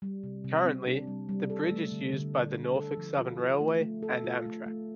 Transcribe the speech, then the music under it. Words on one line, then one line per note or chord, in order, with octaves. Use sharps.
Currently, the bridge is used by the Norfolk Southern Railway and Amtrak.
G3
C3
C3
C4
D4
G3
G3
A4
A3
D3
D3
D4
D4
A4
F3
F4
F4
A3
A3
A4
F4
A3
A3